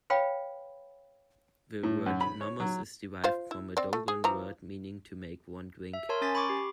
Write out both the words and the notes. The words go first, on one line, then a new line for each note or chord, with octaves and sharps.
The word Nommos is derived from a Dogon word meaning to make one drink.
B4 C#5 F5 G5 B5
A2
F#2
B5
C#5
F#3
F4 C5 F5
E4
C4 D5
A3
G#4
E3 F3 A#5
E5
A#4 C#5 A5 C6
C#4 G#5 A6 B6
B5 C#6 D6
G4